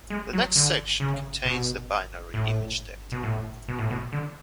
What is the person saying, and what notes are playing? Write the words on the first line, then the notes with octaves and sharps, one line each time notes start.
The next section contains the binary image data.
G#3
F#3
D3
C#3
B2
A2
B2
A2
B2
A2
B2
D3